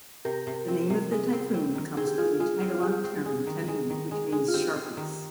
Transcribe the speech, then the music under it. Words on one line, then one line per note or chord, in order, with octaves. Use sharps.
The name of the typhoon comes from the Tagalog term "Talim", which means 'sharpness'.
C3 G4 A#4
C3
C4
C3
G#3
C4
C4
D#3
C4 G#4
G4
G#3 F4 G#4
G#3 F4
C4
F4
G#3 G4
C4
G#3
D#3
G#3
D#3
G#3
G#3
F4
C4 G4
C4
D#3